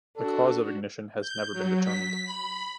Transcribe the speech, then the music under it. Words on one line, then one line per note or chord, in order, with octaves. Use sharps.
The cause of ignition has never been determined.
D4 F#4 A4
G6
F#3
B6
B5